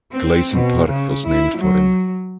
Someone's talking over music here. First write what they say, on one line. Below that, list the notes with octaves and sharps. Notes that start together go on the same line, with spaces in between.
Gleason Park was named for him.
C4
B2
C#3
E4
F#3